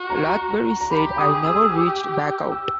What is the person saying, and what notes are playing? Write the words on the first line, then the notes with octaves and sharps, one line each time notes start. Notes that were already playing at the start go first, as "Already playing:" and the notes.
Lathbury said, I never reached back out.
Already playing: F#4
A#5
A#5
A#5
G4 B5
D#6
G#4
E6
D#6
E6
G4
E6